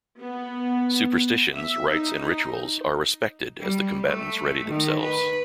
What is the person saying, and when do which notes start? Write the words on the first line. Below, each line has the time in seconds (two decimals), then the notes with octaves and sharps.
Superstitions, rites and rituals are respected as the combatants ready themselves.
0.19 B3
1.54 E5
1.91 D#4
3.60 G3
4.06 A3
4.69 D#3
5.02 B4